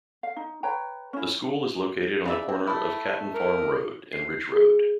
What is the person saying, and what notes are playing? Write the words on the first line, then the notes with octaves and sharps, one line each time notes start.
The school is located on the corner of Caton Farm Road and Ridge Road.
F5
D#4
B4 C#5 G5 A#5
C#4 E4
C#3 D5 E5
C4
A3 E4
A#4
C7
G#4